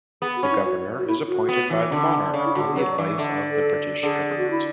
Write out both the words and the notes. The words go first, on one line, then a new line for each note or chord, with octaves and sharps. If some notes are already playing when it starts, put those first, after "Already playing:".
The Governor is appointed by the monarch on the advice of the British government.
B3 G#4
F#4
C#4
E4
F#4
F#4
E4
F#4
B3
E3
D3
C#3
E4
D3 F#4
G#4
F#3 B4
D5
E3
D5
D3 E5
D5
A4
D3 G#4
G#4
F#4
E4